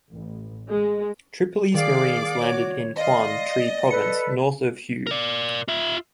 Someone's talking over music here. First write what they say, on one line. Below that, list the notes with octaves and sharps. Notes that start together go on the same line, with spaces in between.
"Tripoli"'s Marines landed in Quang Tri province, north of Hue.
A1
G#3
D#3 G#4 D5 F5 D6
F#4 C#5
D5 D#5 F5 C6
A4 B4 C#7
A#4 D5
F4 E5